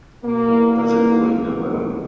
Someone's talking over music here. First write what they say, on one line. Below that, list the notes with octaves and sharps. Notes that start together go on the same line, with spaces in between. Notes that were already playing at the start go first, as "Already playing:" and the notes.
Does it ring a bell?
B2 A#3
G3 B3 E4
B2 A#3
G3 B3 E4
C#2
C3 F3 G#3 B3
C#2